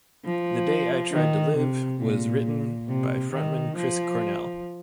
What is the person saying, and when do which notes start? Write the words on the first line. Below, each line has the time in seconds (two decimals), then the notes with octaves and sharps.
"The Day I Tried to Live" was written by frontman Chris Cornell.
0.25 F3
1.12 D#3
1.57 C3
2.01 A#2
2.88 C3
3.33 D#3
3.76 F3